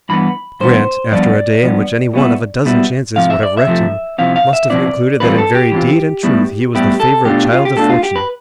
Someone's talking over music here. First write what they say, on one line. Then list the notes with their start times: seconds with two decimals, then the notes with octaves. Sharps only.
Grant, after a day in which any one of a dozen chances would have wrecked him, must have concluded that in very deed and truth he was the favorite child of Fortune.
0.09 G2 E3 B3 B5
0.60 G2 E3 B3 C5
1.12 G2 F3 B3 D5
1.63 G2 F3 B3
2.14 B2 G3 B3 E4
2.65 B2 G3 B3 E4
3.16 F2 C3 F3 F5
3.30 E5
3.43 D5
3.57 E5
3.67 F2 C3 F3 A3
4.18 C3 F3 C4 E4 F5
4.36 F5
4.53 E5
4.70 C3 F3 C4 E4 D5
5.20 E3 G3 C4 F4 B4
5.38 A4
5.55 G4
5.72 E3 G3 C4 F4
6.23 A2 G3 B3 E4
6.75 A2 G3 B3 E4 G4
7.00 A4
7.25 B2 A3 D4 F4 G4
7.53 F4
7.65 G4
7.76 B2 A3 D4 F4 A4
7.89 F4
8.03 G4
8.16 B4